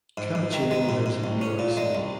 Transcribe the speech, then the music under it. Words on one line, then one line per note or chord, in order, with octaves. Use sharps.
Cappuccino lives in New York City.
G#2
G#2
D#3
G#3
G#2
G#2
C2
C#4
A#2
G#3
C2